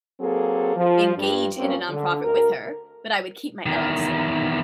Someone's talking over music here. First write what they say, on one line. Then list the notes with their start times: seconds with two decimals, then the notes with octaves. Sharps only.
engage in a nonprofit with her, but I would keep my LLC.
0.20 F#3 A#3 C4 G#4 A4
0.76 F3
1.17 G2
1.57 G2 A#3 C4 C#4
1.89 D3
2.25 D2 A#4
3.66 E2 D#3